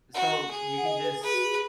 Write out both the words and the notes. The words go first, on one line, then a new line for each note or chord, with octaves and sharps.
So you can just
F#4 F#5
G#4
F#5
D#5
B4
G#4 B4
F#4
G#4